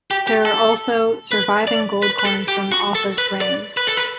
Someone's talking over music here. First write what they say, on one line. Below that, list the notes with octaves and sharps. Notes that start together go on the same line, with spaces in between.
There are also surviving gold coins from Offa's reign.
G4
G4
A4
B4
D5
B4
B4
A4
G4
F#4
A4
B4
D5
B4
A4
B4